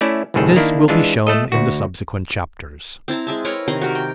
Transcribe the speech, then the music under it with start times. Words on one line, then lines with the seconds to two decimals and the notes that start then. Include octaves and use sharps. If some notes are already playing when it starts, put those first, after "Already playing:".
This will be shown in the subsequent chapters.
0.01 A3 C#4 E4 D5
0.34 G1 C2 A2 D#3 G#4 A4
0.56 D#3 A#3 D4 E4
0.88 E3 G#3 D4 F4
1.27 A3 A4 D#5
1.52 D2 F#4
3.08 C4 E4 A5 A#5
3.27 G#3 E5 A5
3.45 E4 A#4 B4 C#5
3.68 C3 D#3 A#5 C6
3.81 F#4 G4 A#4
3.95 G5